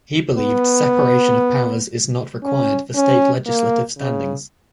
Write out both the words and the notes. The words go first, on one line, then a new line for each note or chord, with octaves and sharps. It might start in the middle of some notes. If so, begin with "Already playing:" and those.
He believed separation of powers is not required for state legislative standings.
B3
C#4
C#4
A#3
C#3